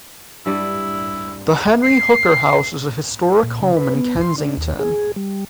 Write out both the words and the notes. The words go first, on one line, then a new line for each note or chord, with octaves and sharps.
The Henry Hooker House is a historic home in Kensington.
G2 G3 E4
C7
A#2
C#3
B4
B3
C6
D4
D#2
G#4
G3